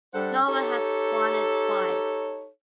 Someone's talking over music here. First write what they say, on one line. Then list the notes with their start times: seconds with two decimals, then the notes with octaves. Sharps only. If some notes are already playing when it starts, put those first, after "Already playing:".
No one has won it twice.
0.13 G3 D4 A4 C5 F#5
0.47 D#4 G4 A4 C#5